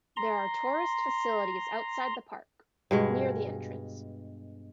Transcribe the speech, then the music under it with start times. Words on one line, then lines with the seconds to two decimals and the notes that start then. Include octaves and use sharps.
There are tourist facilities outside the park, near the entrance.
0.17 A#5 C6
2.91 G2 B2 G#3